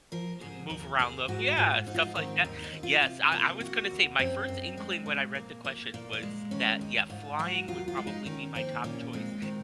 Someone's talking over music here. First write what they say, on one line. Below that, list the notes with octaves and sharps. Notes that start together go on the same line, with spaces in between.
Move around them, yeah, stuff like that. Yes, I I was gonna say my first inkling when I read the question was that, yeah, "Flying would probably be my top choice
F3 A#4
G#2 G#4
D#2 A#4
D#2 G#4
G#2 F#4
G#2 F4
G#2 D#4
F4
D#4
D#3 C4
D#2 D#4
D#4
D#2
F4
C3 F4
A#3 F4
D#2 F#4
D#2
F#2 C4
F#2
G#3
A#2
A#3
A#3
A#2 A#3
A#3
G#3
D#3 C#4
D#2 D#4
G#2 F4
F#3 F#4
D#2 F4
F4
G#3
D#4
D#3 C#4
A#3 C4
A#2 C#4
G#3 C4
D#3 C4